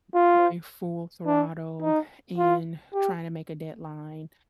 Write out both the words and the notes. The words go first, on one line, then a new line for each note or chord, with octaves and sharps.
just going full throttle and trying to make a deadline,
F4
D4
D#4
F4
G4